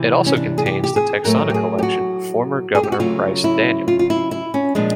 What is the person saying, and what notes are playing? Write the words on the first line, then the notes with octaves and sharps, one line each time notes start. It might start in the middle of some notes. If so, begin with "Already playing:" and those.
It also contains the Texana collection of former Governor Price Daniel.
Already playing: C3 E3
C#4
D4
G#4
G4
G4
G#4
A2 F#3 A3 A#4
G4
G#4
G4
F#4
G#4
G4
F#4
C#3 F#3 A3 F4
E4
F4
F4
E4
E4
C#4
A#2 F3 G#3 D4